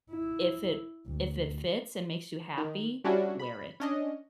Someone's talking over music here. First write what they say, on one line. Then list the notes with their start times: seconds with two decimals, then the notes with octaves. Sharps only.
if it if it fits and makes you happy, wear it.
0.11 E4
1.07 D2
2.58 D#3
3.04 G3 C#4 D4 E4 F#4
3.39 B5
3.80 C#4 D4 D#5